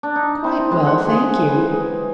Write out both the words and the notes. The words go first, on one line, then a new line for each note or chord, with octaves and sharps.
"Quite well, thank you."
D4
D#4
C4
G#3
F#5
G#4
E3